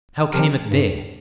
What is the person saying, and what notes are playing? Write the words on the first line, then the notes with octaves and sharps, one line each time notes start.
"How came it there?"
F3 C4 G4 A#4
G2